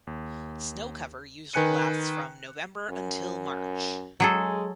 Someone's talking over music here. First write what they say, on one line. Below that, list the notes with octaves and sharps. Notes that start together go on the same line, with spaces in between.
Snow cover usually lasts from November until March.
D#2
D#3 B4 G#5 F#6 C#7 D#7
F#2
F#3 G#3 G#4 A4